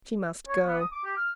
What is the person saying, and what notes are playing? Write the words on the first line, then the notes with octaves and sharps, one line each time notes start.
She must go.
C#5
B3
D#6
D6
G4
F6